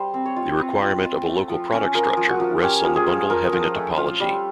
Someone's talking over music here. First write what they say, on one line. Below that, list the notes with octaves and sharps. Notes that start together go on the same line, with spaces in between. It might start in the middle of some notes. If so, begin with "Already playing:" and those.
The requirement of a local product structure rests on the bundle having a topology.
Already playing: G3 C5
C4
C#5
F4
C4 B4
F4
F4
A3
F3
C#4
F3 A#4
F3
F#4
F3
C#4 G4
F3
G#4
F3
F3 A#4
F3
A3
F4
G3